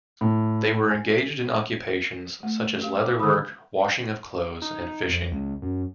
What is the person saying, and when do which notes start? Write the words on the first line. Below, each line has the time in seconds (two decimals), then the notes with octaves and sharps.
They were engaged in occupations such as leather work, washing of clothes and fishing.
0.21 A2
0.90 G#5
2.43 A3
2.82 G4 F5
2.97 D6
3.19 D3 D#3 A4 B5 D#6 E6
4.62 D#4
5.09 F2
5.32 C#2
5.62 F#2